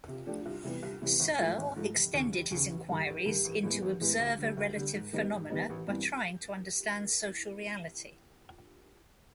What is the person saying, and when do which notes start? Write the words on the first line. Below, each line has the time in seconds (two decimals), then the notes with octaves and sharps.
Searle extended his inquiries into observer-relative phenomena by trying to understand social reality.
0.08 C3
0.26 F3 A3 D4 G4
0.46 C2
0.64 C3 E3 G3 B3
0.83 C2
1.02 C3 E3 G3 B3
1.20 G#1
1.39 G#2 F3 A3
1.58 G#1
1.76 G#2 F3 A3
1.95 F1
2.14 D#2 C#3
2.32 F1
2.51 D#2 C#3
2.70 A1
2.89 G2 D#3
3.07 A1
3.26 G2 D#3
3.45 A1
3.63 A2 E3 G#3 B3
3.82 A1
4.01 A2 E3 G#3 B3
4.19 D2
4.38 D3 G3
4.57 D2
4.76 D3 G3
4.94 G#2
5.13 D#3 G3 B3 D#4
5.31 G#2
5.50 D#3 G3 B3 D#4
5.70 A1
5.87 G2 E3 G3 C4